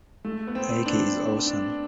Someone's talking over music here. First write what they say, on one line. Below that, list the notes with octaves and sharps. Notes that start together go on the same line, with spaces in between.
Ikey is awesome.
A3
B3
C4
D4
D4